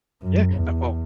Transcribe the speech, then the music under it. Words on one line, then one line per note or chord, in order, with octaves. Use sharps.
Yeah, uh, well,
F#2
E2